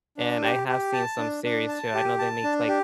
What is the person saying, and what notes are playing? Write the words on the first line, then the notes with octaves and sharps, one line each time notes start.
And I have seen some series too. I know they make like
D4
G4
G4
A5
D4
D4
A5
G4
A5
D4
G4